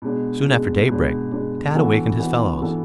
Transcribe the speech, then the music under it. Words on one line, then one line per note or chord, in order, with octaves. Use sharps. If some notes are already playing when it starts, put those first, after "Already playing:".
Soon after daybreak, Tad awakened his fellows.
B2 G#3 D4
B2 G#3 D4
B2 G#3 D4
B2 G#3 D4
E3 B3 D4 F#4 A4
E3 B3 D4 F#4 A4
E3 B3 D4 F#4 A4